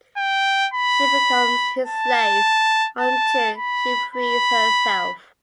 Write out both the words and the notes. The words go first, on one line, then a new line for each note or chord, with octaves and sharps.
She becomes his slave until she frees herself.
G5
B5
A5
A5
B5
B5